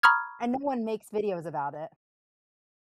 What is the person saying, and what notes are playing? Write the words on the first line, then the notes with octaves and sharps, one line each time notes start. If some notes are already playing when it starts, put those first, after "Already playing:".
And no one makes videos about it.
A#5 B5 C#6 D#6 F6 G#6